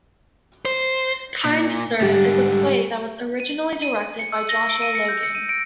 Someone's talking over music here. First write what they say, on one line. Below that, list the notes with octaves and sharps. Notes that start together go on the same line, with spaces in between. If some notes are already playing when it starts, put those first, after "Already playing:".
Kind Sir is a play that was originally directed by Joshua Logan.
C5
A#2
G#2 D3 G3 G4 A6
D#7
D#7
C#7
E6
A#6
D7
D#7
C#7
G6
C#7
D#7
D7